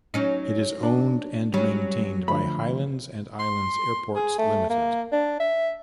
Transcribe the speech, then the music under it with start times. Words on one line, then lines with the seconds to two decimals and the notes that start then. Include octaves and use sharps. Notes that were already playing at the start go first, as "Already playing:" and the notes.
It is owned and maintained by Highlands and Islands Airports Limited.
0.14 F#3 C#4 D#4
0.83 D4
1.54 F#3 G3 C#4
2.28 D3 F3 A3 B5
3.39 C6
4.16 G#4
4.39 A3
4.70 A#3
5.12 D4
5.40 E5